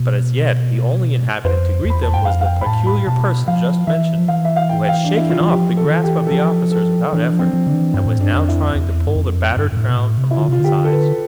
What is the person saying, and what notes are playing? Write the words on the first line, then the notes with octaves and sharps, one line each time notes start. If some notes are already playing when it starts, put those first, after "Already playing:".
But as yet the only inhabitant to greet them was the Peculiar Person just mentioned, who had shaken off the grasp of the officers without effort and was now trying to pull the battered crown from off his eyes.
Already playing: B2
F2 C5
E2
B5
A5
G2 G5
F2 F5
F5
G5
B5
A2 A5
B5
B2 A5
F3 F5
E3 E5
F3
E3 F5
E5
F5
G5
G5
F5
D4
E4
F4
E3
F3 G4
A4
D3
E3
G4
A4
F3 G4
A4
E3 D4
F3
C4
F3
D3 D4
E3
G2 C4
A2
G2 D4
F2
E4
E2
F2
E2
G2
F2
G2
G2
A2
B2
A2
C3
E4
D3 F4
C3 F4
D3 G4
A4
B4